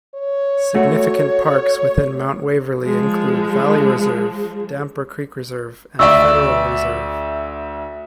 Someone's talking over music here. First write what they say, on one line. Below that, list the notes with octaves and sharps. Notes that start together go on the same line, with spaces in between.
Significant parks within Mount Waverley include Valley Reserve, Damper Creek Reserve, and Federal Reserve.
C#5
A3 F#4
F3 G#3
D2 D5 E5 C#6 E6